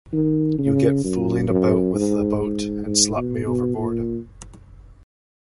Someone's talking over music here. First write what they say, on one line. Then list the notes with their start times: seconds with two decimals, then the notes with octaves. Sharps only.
You get fooling about with the boat, and slop me overboard.
0.13 D#3
0.59 C#3
1.04 F#2
1.50 F#2
1.95 G#2
2.41 G#2
2.86 G#2
3.16 B2
3.47 B2
3.77 A#2